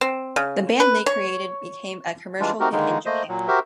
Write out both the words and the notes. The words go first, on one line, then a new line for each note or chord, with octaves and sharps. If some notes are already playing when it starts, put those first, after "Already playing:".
The band they created became a commercial hit in Japan.
C4
C#3
B4
C#5
E3 G3 G#3 D4 F4
A3 C4 D#4 F#4 G4 A#4
D3 D#3 G#3 A#3 D#4
A3 A#3 C5 D#5
A#2 F#3
F#4 G4 A#4 C5 E5